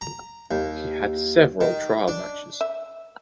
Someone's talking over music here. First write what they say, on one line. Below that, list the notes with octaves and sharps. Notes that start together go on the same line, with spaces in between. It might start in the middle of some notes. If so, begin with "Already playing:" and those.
He had several trial matches.
A#5
D#2
D#3
D4
E5